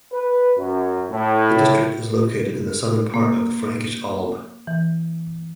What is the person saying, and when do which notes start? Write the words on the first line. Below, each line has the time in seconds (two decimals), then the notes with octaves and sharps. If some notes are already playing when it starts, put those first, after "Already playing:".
The district is located in the southern part of the Frankish Alb.
0.12 B4
0.57 F#2
1.10 A2
3.14 A#3
4.67 E3